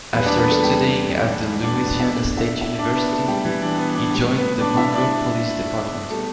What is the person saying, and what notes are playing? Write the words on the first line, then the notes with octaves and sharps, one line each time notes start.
After studying at the Louisiana State University, he joined the Monroe Police Department.
E2 E3 G3 B3 B4
D4 D5
B3 B4
A3 A4
G3 G4
D4 D5
B3 B4
B3 B4
E4 E5
B2 A3 D4 D5
E4 E5
E4 E5
D4 D5
B3 B4
A3 A4
G3 G4
E3 E4
D4
B3
D4
A2 G3
B3 B4
D4 D5
E4 E5
D4 D5
B2 G3 A3 A4